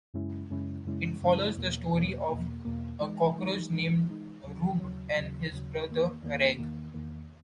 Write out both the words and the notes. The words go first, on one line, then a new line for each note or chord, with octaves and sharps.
It follows the story of a cockroach named Rube and his brother Reg.
F#2 C#3 G#3 C#4 E4
F#2 C#3 G#3 C#4 E4
F#2 C#3 G#3 C#4 E4
F#2 C#3 G#3 C#4 E4
E2 B2 A#3
E2 B2 A#3
E2 B2 A#3
E2 B2 A#3
E3 G#3 D#4
E3 G#3 D#4
E3 G#3 D#4
E3 G#3 D#4
D#2 C#3 F#3
D#2 C#3 F#3
D#2 C#3 F#3
D#2 C#3 F#3
E2 D#3 A#3
E2 D#3 A#3
E2 D#3 A#3
E2 D#3 A#3